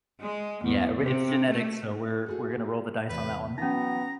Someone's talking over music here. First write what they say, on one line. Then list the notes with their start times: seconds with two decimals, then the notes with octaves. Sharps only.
Yeah, we it's genetic, so we're we're gonna roll the dice on that one.
0.20 G#3
0.63 E2
1.01 C3
1.49 A3
2.26 F#4 G#4 A4
3.09 E2 C3 B4
3.58 E3 F#3 B3 C#4 D#4 A#5